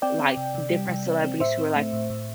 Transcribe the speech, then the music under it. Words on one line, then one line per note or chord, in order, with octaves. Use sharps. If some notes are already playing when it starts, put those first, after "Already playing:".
like different celebrities who were, like,
C4 D5 G5
C4
C3
C3
G3
C3
C4
C4
A2 C5 E5
C4
A3
A2
A2